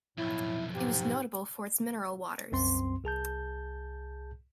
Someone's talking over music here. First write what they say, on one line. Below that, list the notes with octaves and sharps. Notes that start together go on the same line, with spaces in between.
It was notable for its mineral waters.
B1 F2 A2 E4
G#2 G4
C2 F#2 C4 C6
C2 G#4 A5 G6